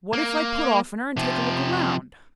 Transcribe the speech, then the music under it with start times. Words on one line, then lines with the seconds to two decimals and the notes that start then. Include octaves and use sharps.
'What if I put off in her and take a look round?
0.13 A#3
1.17 C3 F3